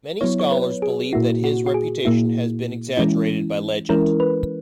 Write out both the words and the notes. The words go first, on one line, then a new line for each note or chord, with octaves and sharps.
Many scholars believe that his reputation has been exaggerated by legend.
F#3 B3 E4 C#5
C#5
B4
G#4
A#2 A#3 E4 F#4
F#4
F#4
G#4
A#2 A#3 E4
E3 G#3 C#4 E4
E3 G#3 C#4 E4 A#4
B4